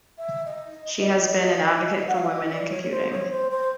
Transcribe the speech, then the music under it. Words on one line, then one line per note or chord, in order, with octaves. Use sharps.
She has been an advocate for women in computing.
E5
D#5
F#5
F5
E5
D#5
D5
C#5
C#5
C5
C#5
C5
C5